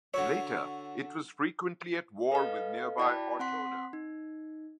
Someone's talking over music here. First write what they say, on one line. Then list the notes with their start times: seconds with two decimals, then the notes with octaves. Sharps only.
Later it was frequently at war with nearby Ortona.
0.14 D3 F#4 C#5 E5
2.32 A4 B4 D#5 F5
2.98 E4 F#4 D5 G5 A5 B5
3.39 C4 F#5 C6 B6
3.93 D#4